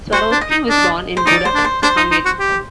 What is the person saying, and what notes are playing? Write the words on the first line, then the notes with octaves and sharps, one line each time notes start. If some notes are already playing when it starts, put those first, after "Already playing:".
Swarowsky was born in Budapest, Hungary.
F#4 C5
D4
D#5
D#4
D4
C5
D#4 D5
C5
D4
C5
D4 C5
D#4
D#4
F#4
G4